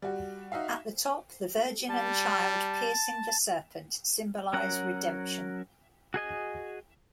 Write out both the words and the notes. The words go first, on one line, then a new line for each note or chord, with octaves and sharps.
At the top, the Virgin and Child piercing the serpent symbolize redemption.
G3 F#4
D#4 F#4 E5 F5
G3 A5
F#3 C#4 A#4 F#5
F#4 G#4 D#5 G#5